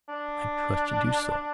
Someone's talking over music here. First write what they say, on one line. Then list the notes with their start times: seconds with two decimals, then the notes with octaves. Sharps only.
I trusted you so.
0.09 D4